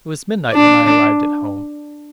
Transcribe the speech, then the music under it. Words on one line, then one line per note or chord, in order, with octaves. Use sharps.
It was midnight when I arrived at home.
D4